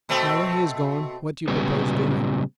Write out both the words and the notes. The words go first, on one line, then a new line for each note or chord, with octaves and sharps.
"Now that he has gone, what do you propose doing?"
B2 A3 C4
A#2 C#3 F#3 G3 B3